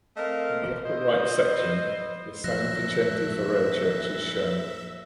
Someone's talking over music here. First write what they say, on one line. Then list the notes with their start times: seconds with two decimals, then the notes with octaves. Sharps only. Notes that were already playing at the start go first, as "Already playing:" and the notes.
In the upper right section the San Vicente Ferrer church is shown.
0.17 A3 C4 A#4 D#5 F5
0.84 E4 B4 C5 D#5
2.44 D2 A#2 F3 F#3 E5 F#6 A#6